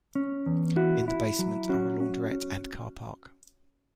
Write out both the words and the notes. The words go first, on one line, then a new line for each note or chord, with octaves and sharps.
In the basement are a launderette and car park.
C#4
E2
E4 F#4
E4
F#3
C#4 F#4
C#4
C#4